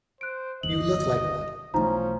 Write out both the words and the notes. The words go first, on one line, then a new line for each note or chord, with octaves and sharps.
You look like one.
C5 F#6 D7
G1 D#2 D#5 F#7
B1 E3 F3 A3 C#4 D#4 A#5